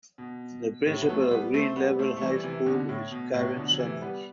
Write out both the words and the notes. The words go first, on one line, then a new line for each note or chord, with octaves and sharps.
The principal of Green Level High School is Karen Summers.
B2
A2 C3
B3
F#3 A3
C4
G3 B3
A3 C4
G3 B3
A3 C4
A3
E3 G3
C3 E3
B2 D3
A2
B2
A2 C3
B2 D3
F#3
C3 E3
G3 B3